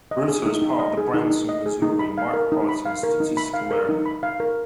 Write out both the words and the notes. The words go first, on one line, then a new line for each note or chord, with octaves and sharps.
Rueter is part of the Branson, Missouri Micropolitan Statistical Area.
D#5
G#4
D#4
D#4
D#5
G#4
D#4
D#4
D#5
G#4
D#4
B5
F5
A#4
D#4
B5
F5
A#4
D#4
B5
F5
A#4
D#4
B5
F5
A#4